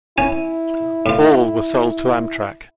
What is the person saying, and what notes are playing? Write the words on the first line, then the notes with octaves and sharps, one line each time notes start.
All were sold to Amtrak.
C#4 E4 G#5
A2 F4